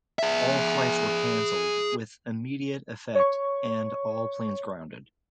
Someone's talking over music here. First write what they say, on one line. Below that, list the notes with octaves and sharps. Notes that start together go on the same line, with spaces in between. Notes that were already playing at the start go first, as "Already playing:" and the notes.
All flights were cancelled with immediate effect and all planes grounded.
G#4 E5
C#5 C#6